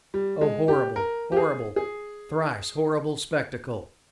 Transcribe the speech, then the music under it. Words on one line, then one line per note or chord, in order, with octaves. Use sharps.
Oh, horrible, horrible, thrice horrible spectacle!
G3
G#3
G4
A#4
G4
G#4
G#4